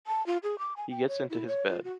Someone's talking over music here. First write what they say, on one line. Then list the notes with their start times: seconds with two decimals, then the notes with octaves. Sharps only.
He gets into his bed.
0.07 A5
0.26 F4
0.43 G#4
0.59 D6
0.77 G#5
0.90 G5
1.08 C#5
1.30 E4
1.47 C#5
1.69 F4
1.84 F#4